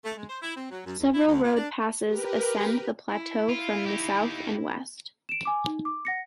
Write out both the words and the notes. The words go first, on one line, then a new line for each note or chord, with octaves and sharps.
Several road passes ascend the plateau from the south and west.
A3
G#3
C5
E4
C4
F#3
F#2
E2
E4
D2
A#2
D4
G4 A#4 B4
E4
F4
D#4 G4
D7 E7
G#5 D6
D#4
D6
F#5 A#6 C#7